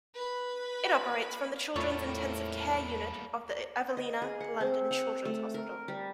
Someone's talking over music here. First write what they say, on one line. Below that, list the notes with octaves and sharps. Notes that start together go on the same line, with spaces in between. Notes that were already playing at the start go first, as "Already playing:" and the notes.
It operates from the children's intensive care unit of the Evelina London Children's Hospital.
B4 B5
E2 A2 G3 A3 A#3 F4 C#5
D#5
G#4
F#5
C4
F#5
A3
A#4
G3